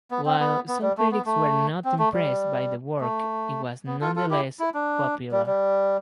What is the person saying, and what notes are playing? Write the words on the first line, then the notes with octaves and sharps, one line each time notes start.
While some critics were not impressed by the work, it was nonetheless popular.
B3
C4
B3
B3
G3
A3
B3
A3
C4
A3
G3
A3
B3
F4 A4
F4 A4
E4 G4
E4
D4
G3
G3